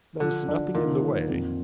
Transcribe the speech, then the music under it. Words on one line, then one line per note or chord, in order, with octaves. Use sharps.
There's nothing in the way.
D3 F3
D4
A#2 D#3
F4
F2